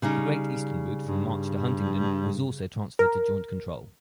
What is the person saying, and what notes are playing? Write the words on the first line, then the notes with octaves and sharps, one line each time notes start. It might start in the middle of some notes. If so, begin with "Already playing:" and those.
The Great Eastern route from March to Huntingdon was also transferred to joint control.
C#3 G3 D#4
G2
A#4